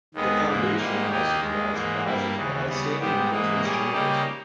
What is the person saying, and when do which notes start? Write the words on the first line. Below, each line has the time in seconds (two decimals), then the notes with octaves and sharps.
The foundation also provides prizes for outstanding business journalism.
0.14 D#2 D#3 G#3 B3
0.47 G#2 E3 A#3
0.77 G#2 G3 A#3 D#4
1.10 D#2 D#3 A#3 D#4 G4
1.41 D#2 D#3 G#3
1.72 G#2 E3 A#3
2.03 G2 G3 A#3 E4
2.36 D#2 C#3 E3
2.67 C#3 G3 B3
2.98 G#2 G3 B3 G4
3.30 G#2 E3 A#3 D#4
3.61 A#2 G3 C#4 G#4
3.92 C#3 G3 A#3 D#4 G4